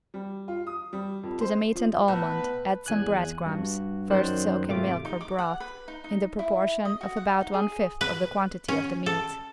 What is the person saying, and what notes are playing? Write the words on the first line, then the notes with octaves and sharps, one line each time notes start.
To the meat and almond add some bread crumbs, first soaked in milk or broth, in the proportion of about one fifth of the quantity of the meat.
G3
F4
D#6
G3
F2
C5
F3
A2 B3 B4
E2 G#5 F#6
G2 F#4 F#5
F#2 D#3 F#3 C5 D5 F#6
G#1 C3 A3 F4 G4 D6
D#4
D6
F#5
B4
D#4
D#4
E4
D#5
F#4
F#5
D#4
G#4
B4
C#4
A4